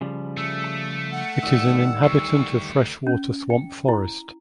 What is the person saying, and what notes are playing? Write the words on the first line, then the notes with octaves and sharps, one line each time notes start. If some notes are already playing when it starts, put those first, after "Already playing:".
It is an inhabitant of freshwater swamp forest.
C#3 F3 G3
A3 E6
F#5
D#3 G3 E6
D2 C#6
C#4
G5
E4